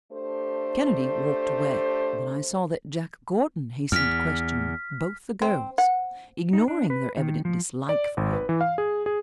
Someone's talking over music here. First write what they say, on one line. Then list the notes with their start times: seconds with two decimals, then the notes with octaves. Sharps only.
Kennedy walked away, but I saw that Jack Gordon hastened to question both the girls, ignoring their evident dislike for him.
0.12 A3 D4 G4 A4 C5
3.92 E2 F6 B6
5.42 C4
5.78 F#5
6.53 D#4
6.68 D4
6.90 B4
7.17 D#3
7.45 F3
7.89 D5
8.17 G#1
8.33 B4
8.49 E3
8.61 F5
8.78 G#4
9.06 G#4